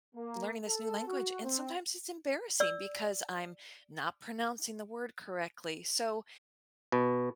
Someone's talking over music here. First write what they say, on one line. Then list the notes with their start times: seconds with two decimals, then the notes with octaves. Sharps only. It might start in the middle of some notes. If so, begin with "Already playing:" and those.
learning this new language, and sometimes it's embarrassing, because I'm not pronouncing the word correctly, so
0.15 A#3
0.67 A4
1.06 F#4
1.43 C4
2.60 D5 E6
6.92 B2